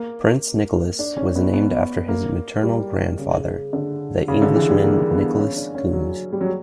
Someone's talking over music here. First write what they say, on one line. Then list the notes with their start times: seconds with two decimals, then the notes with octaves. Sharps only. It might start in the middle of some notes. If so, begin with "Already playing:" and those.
Prince Nicolas was named after his maternal grandfather, the Englishman Nicolas Coombs.
Already playing: A#3
0.99 D4
1.17 C#4
1.35 B3
1.53 B3
2.08 A#3
2.63 G3
3.18 C#3
3.73 D3
4.28 C#3
4.42 D3
4.56 E3
4.69 G3
4.83 A#3
5.11 B3
5.38 C#4
5.57 D4
5.75 C#4
5.93 F#3
6.33 G3
6.41 F#3